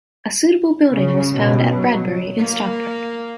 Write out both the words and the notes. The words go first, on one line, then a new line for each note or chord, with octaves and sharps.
A suitable building was found at Bredbury in Stockport.
C#3
B2
F#3
A#3